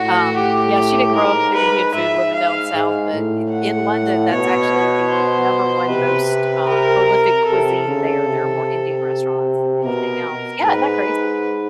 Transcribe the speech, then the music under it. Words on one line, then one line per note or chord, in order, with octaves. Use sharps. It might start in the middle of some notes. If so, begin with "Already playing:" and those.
um, yeah, she didn't grow up with the Indian food living down south, but i in London, that's actually the number one most, um, prolific cuisine there. There are more Indian restaurants than anything else. Yeah, isn't that crazy?
Already playing: A2 F#4
G4
G#2 A#4
B4
G#2 E5
F5
G#2
A2
F#5
B2 C#5
C5
C3 B4
A#4
C3 A4
C#3
C3
B2 A#4
G#2 B4